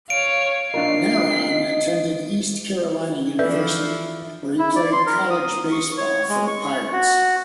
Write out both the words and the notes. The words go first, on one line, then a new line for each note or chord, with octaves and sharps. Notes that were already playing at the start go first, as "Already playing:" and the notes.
Narron attended East Carolina University, where he played college baseball for the Pirates.
C#5 F5 D7
D4 F4 A#4 D#5 C7
E3 F3 A4 B4 D5 E5
E4
D5
C6
A#4
D#6
C#6
C#5
G#3
C#6
F#4